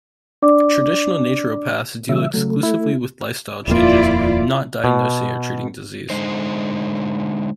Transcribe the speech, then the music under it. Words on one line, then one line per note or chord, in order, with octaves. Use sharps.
Traditional naturopaths deal exclusively with lifestyle changes, not diagnosing or treating disease.
D4 D5 D6
C#3 E3 G3 E5
C#3 F#3 A3
E4
D#1 F2 A#3 E4 F4 D5
B2
D3 G#3 D#4 C5